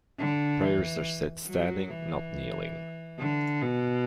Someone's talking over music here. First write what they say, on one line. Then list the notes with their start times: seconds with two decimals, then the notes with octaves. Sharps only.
Prayers are said standing, not kneeling.
0.19 D3
0.62 E3
1.47 F#3
1.90 E3
3.19 D3
3.62 B2